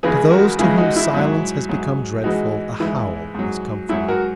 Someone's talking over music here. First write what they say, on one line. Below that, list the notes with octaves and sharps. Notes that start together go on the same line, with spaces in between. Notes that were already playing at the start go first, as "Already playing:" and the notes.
To those to whom silence has become dreadful a howl is comforting.
C#2 C#3 E3 G#3 G#4 B4
F#4 A#4
C#2 C#3 E3 G#3 E4 G#4
D#4 F#4
E4
G#2 F#3
G#2 F#3
G#2 E3 G#3 D#4 F#4
G#2 E3 G#3 E4
G#2 F#3
G#2 F#3 E4
F#4 A#4